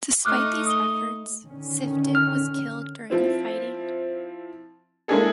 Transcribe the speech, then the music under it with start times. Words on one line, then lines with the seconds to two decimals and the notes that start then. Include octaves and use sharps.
Despite these efforts, Sifton was killed during the fighting.
0.25 A3 D#4 D6 F6 F#6
0.66 D#6 G7
1.45 D3 D#3 C#4
2.15 F6
3.10 F3 C4 E4
5.08 G#3 A#3 D4 E4 G#4 A4